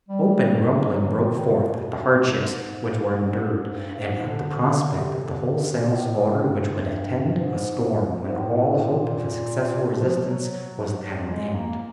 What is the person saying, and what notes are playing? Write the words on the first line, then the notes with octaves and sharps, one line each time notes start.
Open grumbling broke forth at the hardships which were endured, and at the prospect of the wholesale slaughter which would attend a storm when all hope of a successful resistance was at an end.
G3
F#3
E3
D#3
C#3
B2
G#2
G#2
G#2
G2
G2
G#2
D3
C3
D3
C#3
C3
B2
A#2
A2
G2
G#2
G#2
A2
A#2
B2
F3
F#3
F#3
G#3
A#3